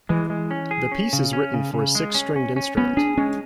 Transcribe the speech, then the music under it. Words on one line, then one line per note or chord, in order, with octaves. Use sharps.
The piece is written for a six-stringed instrument.
E3 G#3
G#3
C#4
G#4
C#4
C#3
C#4
C#3
C#3
G#3
C#4
C#4
C#4
B3 C#4
D4 G#4
G#3 C#4